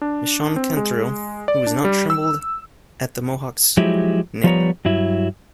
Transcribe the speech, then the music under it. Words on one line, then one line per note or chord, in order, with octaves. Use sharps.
Meshon Cantrill, Who has not trembled at the Mohocks' name?
D4
C4
G#3
D5
D4
G3
E6
F3 F#3 G#3 E4 G4
F3 G3 B3 C#5 A#5
G2 F#3 E4